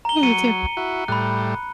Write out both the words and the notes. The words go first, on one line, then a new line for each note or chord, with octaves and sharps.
Yeah, you too.
A#5 G7
F#3 C#7 D#7 G7
E4 F#4
A2 G3 B5 F#6